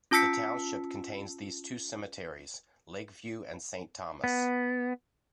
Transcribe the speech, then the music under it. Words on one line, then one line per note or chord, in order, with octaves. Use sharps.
The township contains these two cemeteries: Lakeview and Saint Thomas.
C#4 F4 A5 E6 B6 C#7
B3